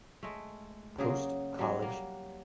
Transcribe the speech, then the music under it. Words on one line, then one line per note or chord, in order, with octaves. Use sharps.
Post College.
G#3 A3
C#3 F#3 A#3 G#4
F#3 G3
A#3